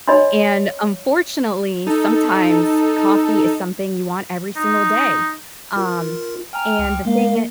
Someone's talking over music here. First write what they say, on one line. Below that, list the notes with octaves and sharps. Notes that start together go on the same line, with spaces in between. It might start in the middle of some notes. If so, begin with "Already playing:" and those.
and, unfortunately, sometimes coffee is something you want every single day, um, and the thing it
C#5 D#5 G#5 B5 C6
D#4 A4
D#4
F4 A#4
G5 G#5 A#5 F6
C#2 G5
G#3 A#3 F5